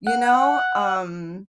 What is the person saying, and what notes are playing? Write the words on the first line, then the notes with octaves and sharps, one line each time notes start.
you know? Um,
F#5